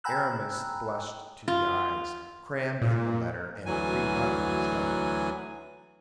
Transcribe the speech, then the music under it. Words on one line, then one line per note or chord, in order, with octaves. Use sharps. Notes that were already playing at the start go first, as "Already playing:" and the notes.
Aramis blushed to the eyes, crammed in the letter, and re-buttoned his doublet.
G5 G#5 A#5 B5 E6 F#6
F4
A#2
D2 E3 F#3 G#5